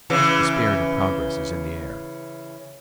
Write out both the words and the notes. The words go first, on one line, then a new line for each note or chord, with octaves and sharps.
The spirit of progress is in the air.
C#3 E3